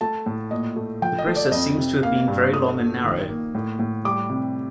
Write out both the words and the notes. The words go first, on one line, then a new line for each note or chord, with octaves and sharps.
The process seems to have been very long and narrow.
A3 A5
A2
A#2 D#5
A3
F3 G5
D#5
A3
D5
F2 D#5
C3
A#3 F5
G2
A3 D#6
A#2
D#3
A#3
A2
A2
G3 D6
C3